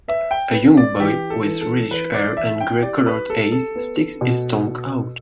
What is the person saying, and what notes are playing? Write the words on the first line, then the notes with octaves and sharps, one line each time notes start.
A young boy with reddish hair and gray colored eyes sticks his tongue out.
B4 E5
G5
B4
D5
E3 G4
A4
E3
A4
E3 B4
D5
E3 E5
G5
G4 D5
B4
G4 A4
A4
B3
B2
B2